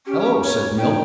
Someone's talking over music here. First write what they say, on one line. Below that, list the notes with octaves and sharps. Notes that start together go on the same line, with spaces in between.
"Hello!" said Milt.
C#4 G4
C#5
D#4 G5